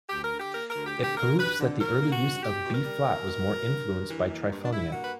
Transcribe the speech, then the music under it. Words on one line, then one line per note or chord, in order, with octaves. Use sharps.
It proves that the early use of b flat was more influenced by triphonia.
D2 G4
A#4
D3
G4
A#3 A#4
A#4
D2
G4
D2
G4
A#3 A#4
G2 B4
D3
F#3 A#4
A#3
F#4
G2
B2 G4
B2
A#4
G3
A#3
B2
B2
G2
G2
E3
A#3
G2
D4
G2 E4
A#3 F#4
B4